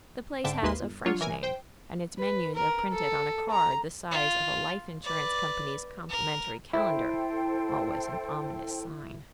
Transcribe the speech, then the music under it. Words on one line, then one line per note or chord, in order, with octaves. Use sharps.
The place has a French name and its menus are printed on a card the size of a life insurance company's complimentary calendar, always an ominous sign.
G#2 D3 E5 G5 A5 D7
G#1 D#2 A#3 B4 E5 C6
G1
F#3 D4 F4 C#5
E3 A#4 G#5
C5 G5
B4
A#4
A4
A#5
F4
B4 D5
A#4
E4 A4 C5 G5